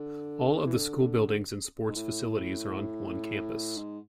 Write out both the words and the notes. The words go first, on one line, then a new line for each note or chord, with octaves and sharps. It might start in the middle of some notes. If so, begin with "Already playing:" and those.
All of the school buildings and sports facilities are on one campus.
Already playing: D3
E3
D3
G#2
A2
G#2